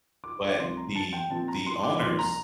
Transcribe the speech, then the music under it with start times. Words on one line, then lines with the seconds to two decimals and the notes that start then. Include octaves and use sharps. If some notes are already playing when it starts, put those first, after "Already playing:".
but the the owners
0.24 D6
0.60 C2 C3 F3 A3 C6
0.77 A#5
0.95 A5
1.13 G5
1.30 A#2 F3 C4 A5
1.48 A#5
1.66 C6
1.83 D6
2.01 C2 A#2 F3 C6
2.19 A#5